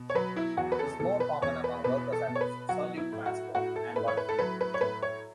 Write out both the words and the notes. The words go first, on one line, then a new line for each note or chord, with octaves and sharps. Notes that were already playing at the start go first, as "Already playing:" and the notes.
This is more common among workers addressing solute transport and water flow.
Already playing: B2
C#5
F#3 B4
E4
E2 F#4
B4
A4
B2 A4
B4
E2 C#5
B4
B2 B4
A4
B2
C#5
B4
F#3 F#4
E4
A2
F#4
A2 F#4
A4
A2 B4
C#5
B4
A4
F#3 B4
B4
C#5
A2 B4
C#5